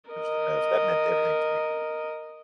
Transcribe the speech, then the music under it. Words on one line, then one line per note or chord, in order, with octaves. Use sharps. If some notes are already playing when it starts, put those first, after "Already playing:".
it was the best. That meant everything to me.
A#4 D#5